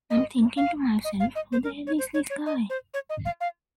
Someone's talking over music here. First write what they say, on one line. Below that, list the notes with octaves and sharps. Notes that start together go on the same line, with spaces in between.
I'm thinking to myself, 'Who the hell is this guy?
D#5
F5
D#5
F5
D#5
C5
A#4
C#5
C5
C#5
C#5
D#5
C5
C#5
D#5
F5
F5